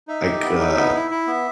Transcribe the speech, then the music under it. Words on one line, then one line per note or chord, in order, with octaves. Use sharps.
like, uh,
D#4 E5
G4
B3
D#4
B3
E4
E4
B3